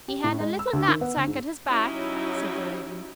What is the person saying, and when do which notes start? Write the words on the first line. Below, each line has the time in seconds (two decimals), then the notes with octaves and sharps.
"He had a little knapsack at his back," said the Raven.
0.08 G4
0.24 A2
0.40 G#3
0.59 E6
0.73 D2
0.88 D#3
1.01 B3
1.16 D2
1.27 G#2
1.67 F#3 C#4 D#4 E4 G4